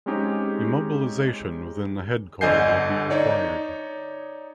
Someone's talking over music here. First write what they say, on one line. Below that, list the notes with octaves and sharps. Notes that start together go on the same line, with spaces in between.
Immobilization within the head coil will be required.
G#3 C4 C#4 D#4 G4 G#4
G1 D3 D#5 G#5 G6 C7
D#4 C#5 D5